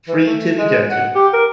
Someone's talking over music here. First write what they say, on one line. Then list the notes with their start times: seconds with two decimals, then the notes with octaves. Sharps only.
Free to Be Dirty!
0.08 E3
0.27 A3
0.58 G#3
0.91 F#5
1.16 G4
1.34 A#4